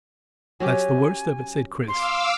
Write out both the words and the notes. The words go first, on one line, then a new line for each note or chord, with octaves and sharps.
"That's the worst of it," said Chris.
F#3 C#4 G4 G#5
F5 C6 D6 E6